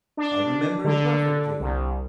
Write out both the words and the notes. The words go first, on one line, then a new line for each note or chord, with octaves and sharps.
"I remember it perfectly."
D4
D3
C2